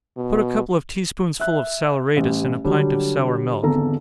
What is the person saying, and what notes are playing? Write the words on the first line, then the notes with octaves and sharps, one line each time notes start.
Put a couple of tea-spoonsful of saleratus in a pint of sour milk.
B2
E5 F#6
A1 G3
D3 F#3 G3 D4
G#1 E2 D3 A4 A#5